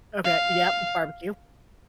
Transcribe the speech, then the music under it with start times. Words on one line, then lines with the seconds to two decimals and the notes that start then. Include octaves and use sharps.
Okay. Yep. Barbecue.
0.24 F5